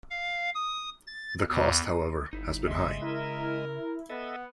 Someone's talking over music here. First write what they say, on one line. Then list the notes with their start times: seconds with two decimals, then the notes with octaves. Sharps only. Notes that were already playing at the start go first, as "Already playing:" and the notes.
The cost, however, has been high.
0.10 F5
0.54 D#6
1.07 A6
1.50 E2
2.33 G1 D#4 E4
2.67 C#3 G#3 D#5 E5 C6
3.02 E4 A#4
4.10 B3 A4 D#5 E5